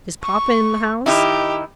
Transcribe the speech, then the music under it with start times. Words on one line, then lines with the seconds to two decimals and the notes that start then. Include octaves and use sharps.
"Is papa in the house?"
0.23 C#6
1.06 D#3 D#4 E4 G4